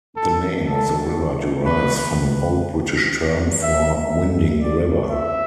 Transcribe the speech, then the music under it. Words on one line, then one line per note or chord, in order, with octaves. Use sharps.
The name of the river derives from an old British term for "winding river".
A4
A4
B4
E5
D5
E5